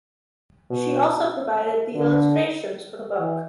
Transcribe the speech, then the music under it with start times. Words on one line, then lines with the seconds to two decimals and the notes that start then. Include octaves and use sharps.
She also provided the illustrations for the book.
0.70 B2
1.95 D3
3.19 E3